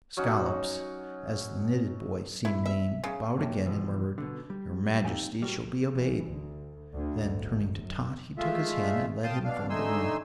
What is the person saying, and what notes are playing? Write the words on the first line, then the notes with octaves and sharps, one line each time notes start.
Scollops, as the knitted boy seemed named, bowed again and murmured, "Your Majesty shall be obeyed." Then, turning to Tot, he took his hand and led him from the room.
F#3 C#4 D#4 F#5
E4
E5
C#3
F#2 A#3 G4 C#5 G5 A5
F2 B2 E3 F3
B2 D3
G3
C4 D#4 G4 F5 G5 G#5
G3 F#4 A#4
E3
D2
D2
G#1
F#2
G#3 A3 F4 E5
F5 G5 A5 C6 D#6
B2 D4 F5
D3 A3 D#4 G#5 C6 E6